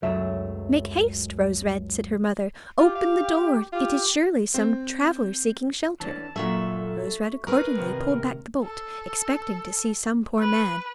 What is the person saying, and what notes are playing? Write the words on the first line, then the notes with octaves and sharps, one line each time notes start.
"Make haste, Rose-Red!" said her mother; "open the door; it is surely some traveller seeking shelter." Rose-Red accordingly pulled back the bolt, expecting to see some poor man.
C#2 F#2 F#3 A3 E5
F4 G4
F5
F4 G4
C4
E3 C#4 D4 A5
F#2 A#2 A3 F#4 A4 E5
G#4 A#4 B4
A2 C3 D#3
A4
B4